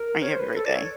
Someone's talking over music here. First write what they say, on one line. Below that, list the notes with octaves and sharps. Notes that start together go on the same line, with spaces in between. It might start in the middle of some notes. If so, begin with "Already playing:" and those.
I Have a great day.
Already playing: A#4
C#5
C5
B4
A4
D5
C#5